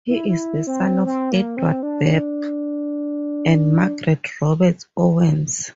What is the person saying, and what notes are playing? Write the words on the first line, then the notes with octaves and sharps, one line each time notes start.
He is the son of Edward Bebb and Margaret Roberts Owens.
E4
E4
C4
C4
A#3
C4
D4